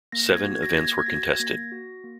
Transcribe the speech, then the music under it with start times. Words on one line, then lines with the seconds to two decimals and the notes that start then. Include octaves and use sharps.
Seven events were contested.
0.12 A#3 A#6
0.33 G#6
0.44 F#4
0.55 G#6
0.63 A#6
0.69 G#6
0.76 A#3 A#6
0.85 G#6
0.92 A#6
0.99 G#6
1.06 F#4 A#6
1.14 G#6
1.34 G#6
1.40 A#3 A#6
1.72 F#4
2.04 A#3